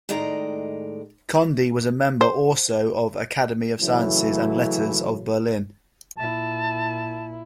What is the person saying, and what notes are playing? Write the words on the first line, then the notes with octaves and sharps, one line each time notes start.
Conde was a member also of Academy of Sciences and Letters of Berlin.
A2 D#3 G#3 D5 D#5 A#5
C5
C#3 E3 F#3 A3 C#4 E4
A#2 E4 A5